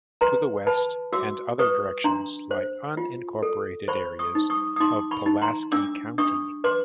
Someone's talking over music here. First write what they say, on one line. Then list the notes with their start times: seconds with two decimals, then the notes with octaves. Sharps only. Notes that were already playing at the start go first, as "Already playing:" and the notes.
To the west and other directions lie unincorporated areas of Pulaski County.
0.21 B4 A#5 C6
0.67 B4 A5 B5
1.13 F#4 D6 E6
1.59 B4 C#6 D#6
2.04 D4 A#5 C6
2.51 C5
2.97 F4
3.42 A4
3.88 C5 B5 C#6
4.19 C#6 D#6
4.35 D#4
4.50 C#6 D#6
4.76 D#6
4.80 D#4 C6 D6
5.11 B5 C#6
5.26 D#4
5.42 A#5 C6
5.72 D4 D6 E6
6.18 D4 C#6 D#6
6.64 B4 C6 D6